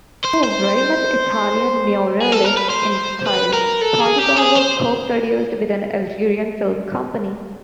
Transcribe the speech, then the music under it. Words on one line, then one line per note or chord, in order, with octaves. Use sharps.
Though very much Italian neorealist in style, Pontecorvo co-produced with an Algerian film company.
C5
C5
G#4
A4
A#4
B4
C5
B4
A#4
A4
G#4
G4
G#4
C5